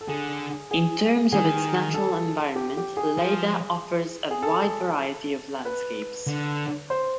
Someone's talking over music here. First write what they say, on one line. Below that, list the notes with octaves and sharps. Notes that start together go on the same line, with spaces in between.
In terms of its natural environment, Lleida offers a wide variety of landscapes.
A4
D3 G#4
G#4
D#3 G#4
A4
G4
G4
G#4
F3
G#4
A4
B4
D3
C5